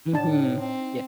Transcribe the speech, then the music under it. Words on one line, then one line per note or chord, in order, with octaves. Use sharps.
Mhm, yeah
A2 D4 D#4 A5
C4